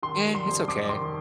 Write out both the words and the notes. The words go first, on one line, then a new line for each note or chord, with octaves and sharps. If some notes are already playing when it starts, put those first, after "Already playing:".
Yeah, it's okay.
D#3 C6
G3
C6
F2
F2 D6
D#3 C6